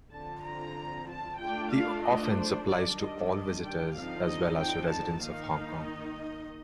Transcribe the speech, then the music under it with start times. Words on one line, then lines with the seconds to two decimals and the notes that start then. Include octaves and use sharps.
The offence applies to all visitors as well as to residents of Hong Kong.
0.13 D3 F3 C4 F4 A5
0.45 A#5
1.09 A5
1.40 A3 D4 F4 G5
1.72 F5
2.04 D#5
2.36 C5
2.67 D#3 G3 D4 D5
2.99 D#5
3.31 D#5
3.63 G5
3.94 D3 F3 C4 D#4 F5
4.26 D#5
4.58 G5
4.90 A5
5.22 D#3 A#3 D#4 F5
5.86 D#5